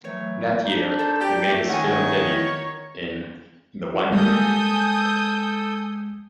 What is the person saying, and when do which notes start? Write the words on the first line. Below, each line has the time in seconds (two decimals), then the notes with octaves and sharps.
That year he made his film debut in "The Wonder Man".
0.05 E3 F#3 A3 C#5
0.65 D4 D#4
0.99 A4 C5
1.21 G4 D5
1.46 A3
1.69 D#3 C#5 F#5 G#5
4.13 G3 G#3 A#3 A4 G#5 D#6 E6 G6